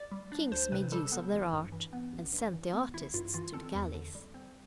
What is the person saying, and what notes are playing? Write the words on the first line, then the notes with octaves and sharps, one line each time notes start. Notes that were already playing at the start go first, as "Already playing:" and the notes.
Kings made use of their art, and sent the artists to the galleys.
Already playing: D5
G3
D4
D2 C5
C3 B4
G3 A4
B3
A1
G2
E3
B3
A1
G2
E3
B3
A1 E4
G2 F4
E3 F4
C4 A4
E2
D3
G3
C4